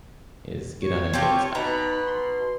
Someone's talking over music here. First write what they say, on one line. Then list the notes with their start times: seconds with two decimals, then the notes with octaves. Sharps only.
is get on and build stuff,
0.83 C#5
1.13 C4 F4 G4 A5
1.55 B2 D#4 A#5 B5
2.07 C6